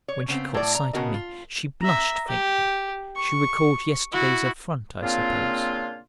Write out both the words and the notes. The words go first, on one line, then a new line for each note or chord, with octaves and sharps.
When she caught sight of me she blushed faintly; she recalled yesterday's affront, I suppose.
C#5
C#3 B3 C4
A2 D5
A#5
C#3 G#3 B3 F#4 A#4 D#5
F4
E5 A#5
G4
C#6
E4 F#4
A#2 C#3 A#3 C4 D4 F4